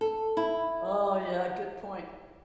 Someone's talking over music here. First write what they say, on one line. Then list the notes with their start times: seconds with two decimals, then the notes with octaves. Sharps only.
Oh, yeah. Good point.
0.01 A4
0.37 E4